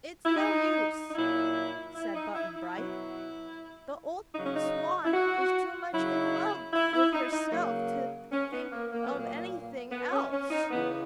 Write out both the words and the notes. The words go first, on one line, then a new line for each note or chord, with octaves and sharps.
"It's no use," said Button Bright; "the old Swan is too much in love with herself to think of anything else."
E4
D#4
D#4
A#2 F#3 E4
E4
D#4
E4
E4
B2 F#3
C#3 F#3 C#4 D#4
D#4
E4
F#4
C#3 F#3 E4
E4
E4
D#4
D#4
C#3 F#3 A#3
C#4
B3
A#3
A#3
B3
A#2 F#3
A#3
B3
C#4
C#4
D#4
C#3 E3 B3